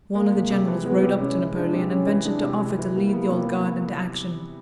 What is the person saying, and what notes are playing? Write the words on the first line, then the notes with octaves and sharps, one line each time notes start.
One of the generals rode up to Napoleon and ventured to offer to lead the Old Guard into action.
G#3 A#3
C3
C3
E3
G#3 B3
C3
C3 C#4
E3
G#3 D4
C3
C3 C#4
E3
G#3 D4
C3
C3
E3
G3 A#3
B3
C3